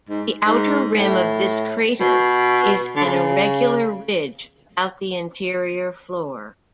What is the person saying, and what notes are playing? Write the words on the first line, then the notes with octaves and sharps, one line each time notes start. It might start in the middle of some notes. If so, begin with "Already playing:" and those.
The outer rim of this crater is an irregular ridge about the interior floor.
G#2
G#2
A2
B2
D3
C#3